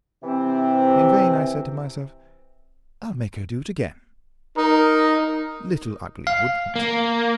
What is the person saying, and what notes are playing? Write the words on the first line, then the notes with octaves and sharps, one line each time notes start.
In vain I said to myself, "I'll make her do it again!" Little Ugly would'nt!
C3 E3 C4
D#4 A#4
F5
A#3